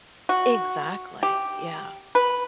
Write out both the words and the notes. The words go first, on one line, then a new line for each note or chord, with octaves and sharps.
Exactly, yeah.
F#4
G4
B4